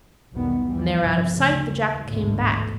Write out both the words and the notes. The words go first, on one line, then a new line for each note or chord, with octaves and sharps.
When they were out of sight the jackal came back.
B1 E2 B2 D#3 G3 B3
E2 G#2 E3 G3
G1 C2 C3 F3
D2 C#3
D#2
A1 D2 G#2 B2 D3 A3